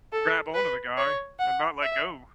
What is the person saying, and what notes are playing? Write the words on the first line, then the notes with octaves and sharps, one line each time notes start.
grab on to the guy and not let go.
A4
B4
C#5
F#5
E5